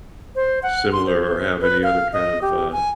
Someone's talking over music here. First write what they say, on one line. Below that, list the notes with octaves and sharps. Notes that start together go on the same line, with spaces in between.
similar, or have any other kind of, uh,
C5
F#5
C6
C5
B4
F5
D#5
G4
G#5